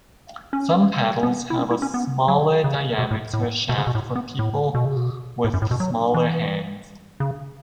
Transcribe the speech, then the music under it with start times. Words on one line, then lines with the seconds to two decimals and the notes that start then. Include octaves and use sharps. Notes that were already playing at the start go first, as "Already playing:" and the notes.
Some paddles have a smaller diameter shaft for people with smaller hands.
0.53 C#4
1.23 B3
1.50 E4
1.59 C#4
1.71 E4
1.82 C#4
1.94 B3
2.28 F#3
2.64 C#3
2.99 B2
3.11 A2
3.34 A2
3.69 B2
3.78 C#3
3.87 B2
3.95 A2
4.16 B3
4.39 A2
4.75 B2
4.85 C#3
4.96 B2
5.44 A2
5.54 F#2
5.62 A2
5.71 B2
5.80 F#3
6.14 E3
7.20 C#3